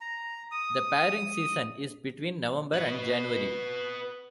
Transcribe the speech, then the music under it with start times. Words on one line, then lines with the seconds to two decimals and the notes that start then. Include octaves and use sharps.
The pairing season is between November and January.
0.01 A#5
0.51 D#6
2.73 B4 D#5